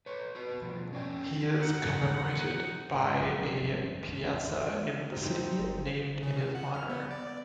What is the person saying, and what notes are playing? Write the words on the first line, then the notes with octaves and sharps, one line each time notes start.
He is commemorated by a piazza in the city named in his honour.
B4 C#5
F#4 B4
B2 F3
C#4 D5 G5
D#4 F#5
G#2
A#1 F2 D3 F#3
G#1 F2 G3 C#4
F2 D#3
G#1 E2 D3 D4
G#3
C4 D#4 C5
G1
C#3
F#5
F6
B3
D5